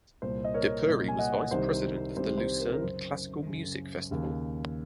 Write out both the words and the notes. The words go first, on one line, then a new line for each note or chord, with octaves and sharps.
De Pury was Vice President of the Lucerne Classical Music Festival.
C2 A#2 C5
D#5
A#4 C#5
C2 A#2
G#5
D#5 F#5
C2 C3 D#3 C5
C2 C3 D#3 C5
C5
A#4
A#4
F#2 C#3 C5
F#2 C#3
D#2 C#3